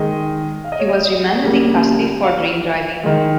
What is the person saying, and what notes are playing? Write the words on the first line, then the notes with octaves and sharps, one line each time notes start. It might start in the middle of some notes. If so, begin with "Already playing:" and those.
He was remanded in custody for drink driving.
Already playing: D#3 G#3 D#5
F5
D#5
C#5
D#5
C#3 G3 A#3
F5
D#3 G#3